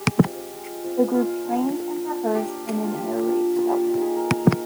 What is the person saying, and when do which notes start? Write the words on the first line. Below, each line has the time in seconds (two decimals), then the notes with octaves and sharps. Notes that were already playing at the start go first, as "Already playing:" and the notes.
The group trained and rehearsed in an air raid shelter.
Already playing: G#3 G4
0.23 C4 F4
0.54 G#3
0.84 C4 F4
1.14 A#3 F4
1.45 D4 F4
1.75 A#3
2.05 D4 F4
2.35 A#3 G4
2.65 D4 F4
2.84 F4
2.95 A#3 G4
3.26 D4 F4
3.56 A#3 F4
3.71 G4
3.86 D#4 G4
3.98 G#4 A#4
4.16 A#3 A#4
4.37 A#4
4.46 D#4